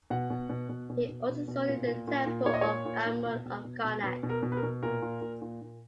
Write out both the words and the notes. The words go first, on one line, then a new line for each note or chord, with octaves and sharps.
He also studied the temple of Amun at Karnak.
B2 F#5
B2
B2
B2
B2
B2
B2
B2
A#2
A#2
A#2
A#2
A#2 C#5
D#5
A#2 C#5
A#2
A#2
B2
B2
B2
B2
B2 B4
B2
A#4
B2
B4
A#4
B2
A#2 A#4
A#2
A#2
A#2
A#2